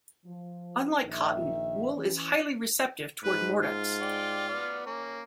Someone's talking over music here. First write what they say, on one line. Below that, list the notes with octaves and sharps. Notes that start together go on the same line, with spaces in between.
Unlike cotton, wool is highly receptive toward mordants.
F3
A#1 D#3 D#4 E5
E3 C#4
G#2 B4
F4
D5 G5
B3 D5 F6
A#3 C#4